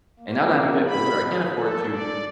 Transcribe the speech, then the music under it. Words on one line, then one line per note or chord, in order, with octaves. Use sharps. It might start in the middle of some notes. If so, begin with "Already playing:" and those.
and now that I'm a bit older, I can't afford to
A#3
B5
G#4
A4
D5